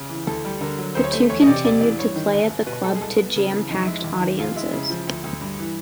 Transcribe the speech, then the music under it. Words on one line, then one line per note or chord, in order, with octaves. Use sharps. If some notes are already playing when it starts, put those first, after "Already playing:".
The two continued to play at the club to jam-packed audiences.
Already playing: C#3
E3
D2 A4
G3
D3 A#4
F#3
D2 C5
C#5
A3 C5
E2 C#5
D#5
C3 D5
E1 D5
E3 D5
G2 C#5
D#3
G1
G1
B2 B4
G#3 A4
G#4
C2 A4
B3
C#3
E3
F2 D#4
G#3 E4
D#2
D#3
F1 F4
G#3 E4
C#3
F3
D2
D2
G2
E3